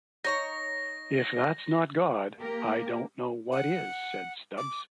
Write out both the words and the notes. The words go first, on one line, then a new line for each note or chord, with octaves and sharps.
If that's not God, I don't know what is, said Stubbs.
D#4 C#5 A#5 A#6
A#3 G4 A#4
F#5
D6